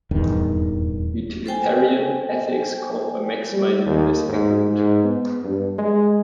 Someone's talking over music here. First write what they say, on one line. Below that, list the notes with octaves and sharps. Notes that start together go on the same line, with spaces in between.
Utilitarian ethics call for maximizing this aggregate.
D#1 E2 G2 D#3
A4 C5 G5 G#5
G3
D#2
G#2
G#2
B3
G2
G#3